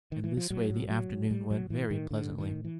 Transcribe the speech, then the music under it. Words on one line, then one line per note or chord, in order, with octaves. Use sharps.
In this way the afternoon went very pleasantly.
D#3
E3
F3
A2 F#3
A2
A2 F#3
A2
A2 G3
A2 F#3
A2 E3
A2 D#3
A2 D3
A2
D#3
A2
E3